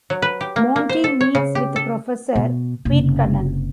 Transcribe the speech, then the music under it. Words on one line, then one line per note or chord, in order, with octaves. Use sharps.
Monty meets with Professor Pitkannan.
F#3
B4
G4
A#3
A#3
C5
A4
C#5
C#3
G4
A4
B2
F#1 C3